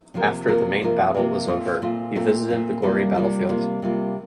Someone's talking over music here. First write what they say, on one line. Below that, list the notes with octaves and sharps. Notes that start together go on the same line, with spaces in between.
After the main battle was over, he visited the gory battlefield.
C3 F3 A#3 F4 A#4
C3 F3 A#3 F4 A#4
C3 F3 A#3 F4 A#4
C3 F3 A#3 F4 A#4
A#2 A3 C4 F4
A#2 A3 C4 F4
A#2 A3 C4 F4
A#2 A3 C4 F4
C3 G3 A#3 F4
C3 G3 A#3 F4
C3 G3 A#3 F4
C3 G3 A#3 F4